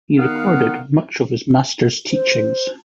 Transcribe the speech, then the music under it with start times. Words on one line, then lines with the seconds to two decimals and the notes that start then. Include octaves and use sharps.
He recorded much of his master's teachings.
0.19 D#3 B3 F5 F#5
2.11 C5